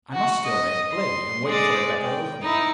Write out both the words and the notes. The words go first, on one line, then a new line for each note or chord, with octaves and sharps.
I must still make play and wait for a better opening.
F#4
D#5
C6
G#3 D5
G5
D#4 E4